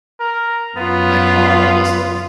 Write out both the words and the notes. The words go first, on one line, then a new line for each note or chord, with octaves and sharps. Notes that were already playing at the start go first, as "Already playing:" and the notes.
my car all of a sudden s
A#4
F#2 B3 F4